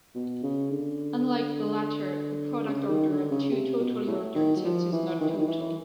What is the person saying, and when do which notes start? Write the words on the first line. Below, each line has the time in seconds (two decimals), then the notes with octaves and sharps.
Unlike the latter, the product order of two totally ordered sets is not total.
0.15 B2
0.42 C#3
0.71 D3
2.67 C#3
2.88 D#3
3.09 D3
3.31 C#3
3.51 C3
3.80 B2
4.07 A2
4.35 D#3
4.56 F#3
4.64 F3
4.92 E3
5.20 D#3
5.28 E3
5.37 D#3
5.48 E3